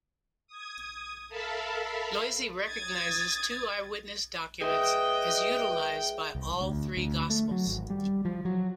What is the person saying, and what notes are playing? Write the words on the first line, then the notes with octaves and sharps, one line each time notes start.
Loisy recognizes two eye-witness documents, as utilized by all three Gospels.
D#6 G#6
A4 A#4 E5 F5 A5 B5
D#6 G#6 A6
A#2 G#3 G#4 B4 D#5 E5 G5
C2
D2
D2
A3
F#3
G#1
G3
F3
F#3